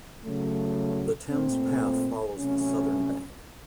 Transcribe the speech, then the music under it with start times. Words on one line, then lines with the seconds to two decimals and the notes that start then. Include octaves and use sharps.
The Thames Path follows the southern bank.
0.24 C#3 F#3 A3
1.30 A#2 A3 C4
2.38 C3 F#3 A3 C#4